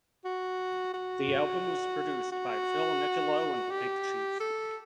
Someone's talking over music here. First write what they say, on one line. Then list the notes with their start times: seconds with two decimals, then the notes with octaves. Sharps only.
The album was produced by Phil Nicolo and Big Chief.
0.25 F#4
0.94 F#4
2.32 F#4
3.71 G4
4.40 A4